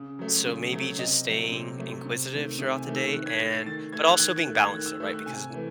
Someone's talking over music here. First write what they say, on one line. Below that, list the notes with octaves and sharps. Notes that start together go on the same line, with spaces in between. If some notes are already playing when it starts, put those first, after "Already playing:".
So maybe just staying inquisitive throughout the day and but also being balanced, though, right, because n
Already playing: C#3
F#3 A3
C#3
F#3 A3
C3 D#5
F#3 A3
C3
F#3 A3
C3
D#3 A3
C3 E5
G#5
D#3 A3
E6
D#3 F#6
G#6
A3 A6
C7
D#3 A6
A3 G#6
E6
F#6
D#3 G#6
F#6
A3
G#6
D#3 F#6
E6
A3
E6
F#6
C3 G#5
E3 A3